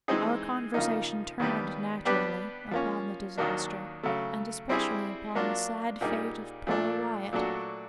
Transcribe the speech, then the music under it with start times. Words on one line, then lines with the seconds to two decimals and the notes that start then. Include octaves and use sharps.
Our conversation turned, naturally, upon the disaster, and especially upon the sad fate of poor Wyatt.
0.08 E3 G#3 C4 D#4 G#4
0.74 C#3 F3 A#3 D#4
1.40 D#2 D#3 G3 B3
2.05 G3 B3 D4 G4 B4
2.71 F3 A#3 C#4
3.38 D#2 D#3 F#3 A#3 D4
4.03 C#3 F#3 A3
4.69 G3 C4 E4 G#4
5.35 F#3 A#3 D4 F4
6.01 A#2 G3 A#3 D#4 G#4
6.67 A#2 F3 A3 D4
7.33 A#2 F#3 A3 D4 F#4